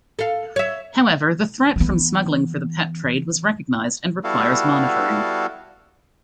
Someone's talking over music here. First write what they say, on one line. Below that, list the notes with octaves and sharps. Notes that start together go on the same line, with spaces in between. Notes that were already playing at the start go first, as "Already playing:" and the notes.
However, the threat from smuggling for the pet trade was recognised and requires monitoring.
A4 F5
C#5 E5
E3 B3
G3 B3 E4 F#4 A4 F5